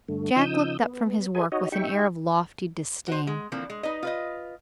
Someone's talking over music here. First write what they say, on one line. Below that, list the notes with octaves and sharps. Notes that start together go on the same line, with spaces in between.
Jack looked up from his work with an air of lofty disdain.
G2 D3 A3
C#3 F3 D#4 D#6 E6 G6
B3
G#4 A4 B4 D#5 G#5
D#4 F#4 C#5 D#5
D#4 G4 E5 G5 C#6
F#4 C5
G#3
D3 E3 F3 A#3 C4
G#3
D#4 B4 D#5
F4 B4 D#5